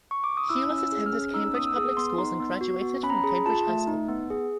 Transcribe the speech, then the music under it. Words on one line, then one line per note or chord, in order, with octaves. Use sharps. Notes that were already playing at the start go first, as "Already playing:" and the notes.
Hewlett attended Cambridge public schools and graduated from Cambridge High School.
C#6
D6
D#6
E4 E6
C#4
E6
G#4
F6
C#4
D#4 E6
B3 D#6
E6
G#4 D#6
B3 C6
D#4 C6
B3
F#4
B3
C#4 B5
A#5
B5
G#4
F4 A5
A3
D#4
B3
G#4